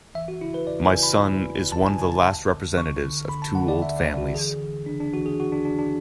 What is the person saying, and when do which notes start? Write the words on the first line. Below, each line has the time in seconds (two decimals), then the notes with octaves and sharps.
My son is one of the last representatives of two old families.
0.15 E3 E5
0.28 F#4
0.41 C#3 E4
0.54 B4
0.67 E2 D5
0.85 G#5
0.94 C#3
1.03 B5
1.20 E2
1.47 E2
1.72 E2 A5
1.86 G#5
1.98 C#3 G#5
2.11 A5
2.24 D2
2.51 D3
2.77 D3 C#6
3.04 D3
3.29 D3 B5
3.42 A5
3.55 D3 F#5
3.68 D5
3.82 D2 E5
3.99 D5
4.08 D3
4.18 F#4
4.34 E3 G#4
4.61 E3
4.86 C#3 D4
5.00 D4
5.13 E3 F#4
5.26 G#4
5.40 E2 F#4
5.52 D4
5.65 C#3 D4
5.79 D4